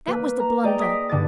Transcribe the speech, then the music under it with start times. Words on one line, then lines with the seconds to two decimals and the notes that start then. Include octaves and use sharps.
That was the blunder.'
0.07 A#3 B4
0.40 A#5
0.64 G#4 D5 D#5 G5 A#5
0.79 D#6 A#6 B6 D7
1.09 G2 D3 D6 A6